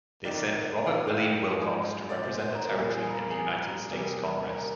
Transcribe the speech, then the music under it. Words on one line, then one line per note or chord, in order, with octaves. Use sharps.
They sent Robert William Wilcox to represent the territory in the United States Congress.
F2 D#3 A#3 D5
F5
G5
G5
G#2 F3 G#3
D5
C5
C5
A#4
A#2 G3 A#3
G#4
A#4
G#4
C3 G3 A#3
A#4